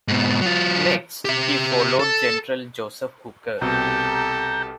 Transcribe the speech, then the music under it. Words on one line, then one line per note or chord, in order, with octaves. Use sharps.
Next, he followed General Joseph Hooker.
G#2 B2
F#3 F4
G4 E5
A4
C2 B2 C4 G4 A4 A#5 G6